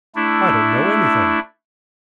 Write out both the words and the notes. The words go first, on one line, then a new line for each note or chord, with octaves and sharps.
I don't know anything.
A3 D4 E4